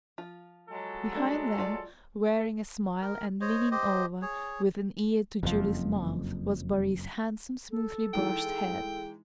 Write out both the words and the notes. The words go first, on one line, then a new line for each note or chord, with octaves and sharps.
Behind them, wearing a smile and leaning over with an ear to Julie's mouth, was Boris' handsome smoothly brushed head.
F3 F4
F#3 G#3 A4
G3 A3 D4
F4 D5
A#4
C5 C#5 D#5
G4 C5 D#5
G#4 C#5
F#1 F2 G#2 F3
A4
E3 G#3 D#4 G5